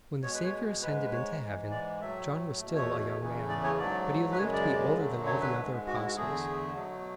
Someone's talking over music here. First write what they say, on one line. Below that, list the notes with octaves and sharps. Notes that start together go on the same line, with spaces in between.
When the Saviour ascended into Heaven, John was still a young man, but he lived to be older than all the other Apostles.
B2 G#3 C#5
B4
C#5
G#2 G#3 B4
B4
C#5
G#2 E3 G#3
D5
A2 F#3 A3 E5
E2 B2 A3
C#5
E2 C#3 E3 A3
D5
C#5
G#2 F#3 A3 D5
B4
F#2 C#3 G#3 C#5
D5
F#2 D3 F#3 A3
C#5
B4
G#2 G#3
F#4
E4
F#4
E2 D3 A3 G#4
B2 F#3 A3